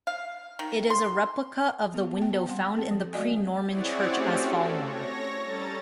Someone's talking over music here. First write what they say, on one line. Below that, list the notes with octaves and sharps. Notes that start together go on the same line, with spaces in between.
It is a replica of the window found in the pre-Norman Church as Falmore.
F5
D#3
C6
B3 G#4
B3 G5
G3 C4 F#5 G5 C6
C4 A4
F3
G#3 A3 F#4 D5 D#5 G#5
C4 E4 G#4 C#5 D5 F#5
A3 C4 C#4 F#4 G4
A4
C#5 A#6
G3 C#4 A4 A#5 A6